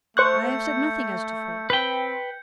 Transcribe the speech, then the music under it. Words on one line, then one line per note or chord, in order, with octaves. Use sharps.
I have said nothing as to fault.
A3 C5 C#6 F#6 G6 C#7
C4 B4 G5